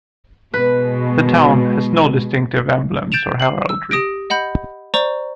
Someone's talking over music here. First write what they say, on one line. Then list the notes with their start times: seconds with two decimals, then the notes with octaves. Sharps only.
The town has no distinctive emblems or heraldry.
0.54 B2 G#3 B4
3.12 G6 A6 D7 E7 F7
3.40 C7 F#7
3.69 E6
3.91 G4 D#6 A#6 D7
4.30 D#5 F#5 B5 G6
4.94 C5 D5 A#5 C#6